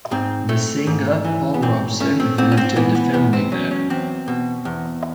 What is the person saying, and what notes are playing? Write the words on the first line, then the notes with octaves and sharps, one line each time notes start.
The singer Paul Robeson visited the family there.
G#2 C4
A3
G#2
E3
B3
G#2 C4
A3 C#4
C4
G#2 C4
C#4
C4
E3 B3
B3
E2 B3
C4
F#3 C#4
C#4
E2 C4
B2
E2